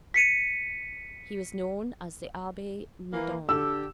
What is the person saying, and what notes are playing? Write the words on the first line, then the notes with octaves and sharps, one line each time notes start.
He was known as the Abbe Midon.
B6 C#7 D#7
E3 A#3
D3 G4 A4 E6